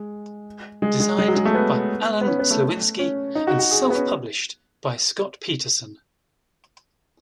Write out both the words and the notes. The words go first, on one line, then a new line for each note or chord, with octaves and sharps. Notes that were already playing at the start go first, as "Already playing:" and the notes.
Designed by Allen Sliwinski and self-published by Scott Peterson.
Already playing: G#3
G#3
G#3
G#3
F#3
G#3
A3
B3
B3
C#4
B3
A3
A3
C#4
D#4
F#4
F#4
G#4
G#4
B3
C#4